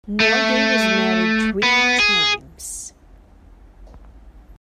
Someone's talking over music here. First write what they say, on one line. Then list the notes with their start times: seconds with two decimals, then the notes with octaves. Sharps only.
Norgay was married three times.
0.20 A3
1.63 B3
2.00 G#4